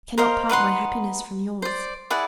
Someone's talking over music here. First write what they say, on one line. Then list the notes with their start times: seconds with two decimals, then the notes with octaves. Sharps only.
I cannot part my happiness from yours.
0.18 A#4 C5 D#5 F5
0.49 D#4 B4 F#5 C6
1.62 C5 D5
2.10 E4 G#4 D5 F#5